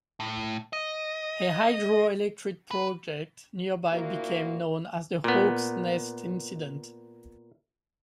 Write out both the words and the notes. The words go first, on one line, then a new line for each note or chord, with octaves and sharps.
A hydro-electric project nearby became known as the Hawk's Nest Incident.
A2
D#5
B4
D2 A#2 A#3 E4 F#4
A#2 B3